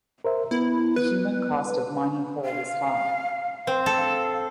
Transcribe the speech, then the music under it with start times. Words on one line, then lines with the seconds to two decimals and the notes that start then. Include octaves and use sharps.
The human cost of mining coal was high.
0.25 A#4 C5 E5
0.51 B3 E4
0.96 B4
2.44 F5
3.67 C4
3.86 A4 F5